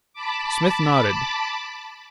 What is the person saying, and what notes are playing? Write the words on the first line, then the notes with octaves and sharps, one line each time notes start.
Smith nodded.
A5 B5 D6